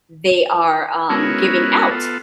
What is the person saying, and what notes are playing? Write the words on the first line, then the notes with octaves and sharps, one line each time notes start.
they are, um, giving out,
G#3 B3 C#4 E4 F#4 A#4
B3 F4 A4